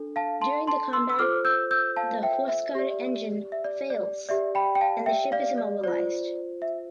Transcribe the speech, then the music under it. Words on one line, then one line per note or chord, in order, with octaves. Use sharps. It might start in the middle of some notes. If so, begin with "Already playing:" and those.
During the combat the "Huascar" engine fails and the ship is immobilised.
Already playing: D4 A4
F5 A5
A5 C6
A5 C6
C6 E6
E6
F4 A4 C5 D6 F6
E6 G6
E6 G6
F5 A5
E5 G5
E5
G4 D5
E5
D5
D5
G4 D5 E5
G5 B5
G5
F5 A5
E5 G5
D5 F5
D5
F4 C5 D5
E5